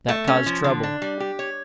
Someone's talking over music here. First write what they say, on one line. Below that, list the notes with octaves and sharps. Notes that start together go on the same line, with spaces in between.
That caused trouble.
A3
C#4
F3
D3
D4
G3
G4
C#5